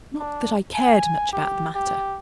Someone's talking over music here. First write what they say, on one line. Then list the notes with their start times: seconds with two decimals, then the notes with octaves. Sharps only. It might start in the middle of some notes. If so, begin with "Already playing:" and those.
Not that I cared much about the matter.
0.19 D4
0.74 G#5
1.33 G4
1.75 G4